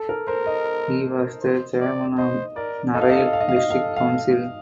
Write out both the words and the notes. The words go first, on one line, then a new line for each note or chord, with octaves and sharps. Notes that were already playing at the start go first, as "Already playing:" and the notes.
He was the chairman of Narail district council.
Already playing: A4
A#4
A#4 C5
D#5
C5
D5
C5 D#5
A#4 D5
A4 D#5
F5
D#5
F5
D#5
F5
D#5
F5
D#5
A4 F5
F5